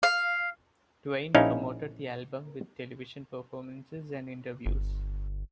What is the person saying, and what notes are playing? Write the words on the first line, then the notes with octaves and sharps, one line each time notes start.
Twain promoted the album with television performances and interviews.
F5
A#1 C#4 D#4 E4 F5
G1